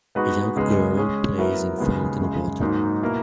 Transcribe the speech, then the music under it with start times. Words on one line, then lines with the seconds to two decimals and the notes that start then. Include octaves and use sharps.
A young girl plays in fountain water.
0.15 G#3 B3 D#4 F#4 B4
0.56 C#2 C#3 G#3 B3
0.97 G#3 C#4 G#4
1.38 F#3 B3 E4 A#4 E5
1.78 D#2 C#3 G#3 B3
2.20 F#2 C#3 G#3
2.61 G#2 F#3 A#3 D#4
3.03 B2 A#3 E4 A#4